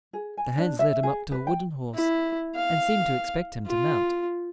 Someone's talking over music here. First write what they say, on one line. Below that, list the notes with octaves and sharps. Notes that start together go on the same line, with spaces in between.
The hands led him up to a wooden horse, and seemed to expect him to mount.
G#4
G#5
D4
E5
G#4
B4
G5
E4
F5
F4